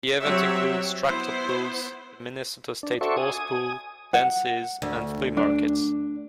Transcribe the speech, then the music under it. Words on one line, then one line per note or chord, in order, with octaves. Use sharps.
The event includes tractor pulls, the Minnesota State Horsepull, dances and flea markets.
F#3 C4 G4 C#5 E5
B3 E4 C5
D4
F#4 A4 C5 D5 E5 C#6
G#5 D#6
F#5
D2
D4